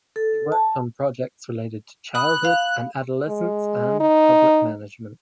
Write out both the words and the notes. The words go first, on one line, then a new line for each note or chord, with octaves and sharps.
She worked on projects related to childhood and adolescence and public management.
A4
A5
B5 D#6 F#6
F5
G#3
D#4